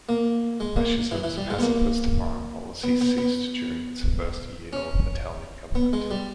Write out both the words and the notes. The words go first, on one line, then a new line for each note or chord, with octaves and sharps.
Fascism's pacifist foreign policy ceased during its first year of Italian government.
A#3
G#3
A#3
E3
E3
G3
G#3
B3
A#3
B3
B3
B3
C#4
B3
G#3
G3